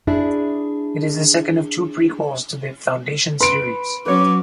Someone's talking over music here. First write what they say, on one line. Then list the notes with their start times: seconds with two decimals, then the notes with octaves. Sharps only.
It is the second of two prequels to the "Foundation" Series.
0.07 D4 E4 G#4 D5 E5
3.40 B4 C6 D7
4.06 F#3 C#4 B4 C#5 D6